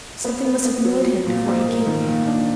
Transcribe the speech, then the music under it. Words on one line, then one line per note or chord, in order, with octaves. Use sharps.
Something must have annoyed him before he came here.'
B3
B3
B3
F#3
F#3
A#2
G#2
A#3
D#3
A#2
D4